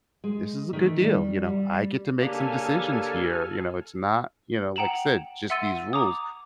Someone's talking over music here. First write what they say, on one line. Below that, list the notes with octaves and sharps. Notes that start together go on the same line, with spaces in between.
This is a good deal, you know? I get to make some decisions here, you know? It's not, you know, like said, just these rules
G#3
D#3 E3 A3
G3
G3
C#3 A#3 D4 G4 A4 G#5 F6
F#5 G5 A#5 E7 F#7
E5 F#5 C6 E6 A6 D#7
A#5 D6 D#6